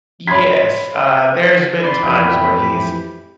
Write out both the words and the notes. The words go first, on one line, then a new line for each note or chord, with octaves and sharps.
yes, uh, there's been times where he's
C#5 B5 C6 G#6 B6
D5 B5 C6
F2 E3 G4